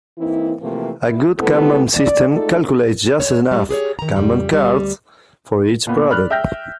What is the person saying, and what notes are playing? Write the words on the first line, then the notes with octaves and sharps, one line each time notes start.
A good kanban system calculates just enough kanban cards for each product.
E3 A#3 C4 D#4 E4
C3 E3 F3 A3 A#3 C4
E4
C3 G3 A3 B3 E4 A4
D5
G#3 A3 D#4 F4 A4 D5
C#5
G3
G4 G#4 B4 C#5
D#3 A#5
F2 C#3 G3
D2 G3
A#2 B3
D5 B5 F6 F#6
E5 G5 F6 G6 A#6